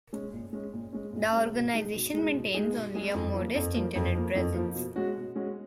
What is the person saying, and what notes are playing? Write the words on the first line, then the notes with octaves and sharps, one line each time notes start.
The organization maintains only a modest internet presence.
G#3 C#4
A#2
G#3 C#4
A#2
G#3 C#4
A#2
G#3 C#4
B2
G#3 D#4 G#4
B2
G#3 D#4 G#4
B2
G#3 D#4 G#4
B2
G#3 D#4 G#4
F2
F3
A#3
F2
F3 A#3
F2
F3 A#3
F2
F3 A#3
B2
G#3 C#4 F#4
B2
G#3 C#4 F#4